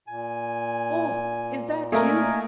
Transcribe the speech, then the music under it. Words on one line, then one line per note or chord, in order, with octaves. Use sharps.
'Oh! is that you?
A#2 G#5
A3 A#3 A#4 D#5 G#5